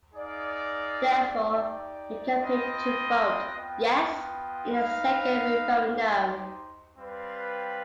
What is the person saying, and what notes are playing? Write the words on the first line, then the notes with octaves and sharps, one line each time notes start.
Therefore, it campaigned to vote "yes" in the second referendum.
D#4 G#4 D5 F5
D#4 G4 D5 G5
C4 F4 B4 D#5
B3 F4 B4 D#5 G5
D#4 B4 F5
D#4 G4 C5
G3 C4 F4 B4